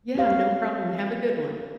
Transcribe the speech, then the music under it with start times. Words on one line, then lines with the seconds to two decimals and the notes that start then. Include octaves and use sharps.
Yeah, no problem, have a good one.
0.15 C4 G4 C#5 F5